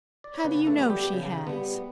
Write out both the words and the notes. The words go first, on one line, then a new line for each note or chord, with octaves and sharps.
"How do you know she has?"
D5
C#5
C#3 B3 B4
A3 A4
G3 B3
G3 G4
C#3
G3 B3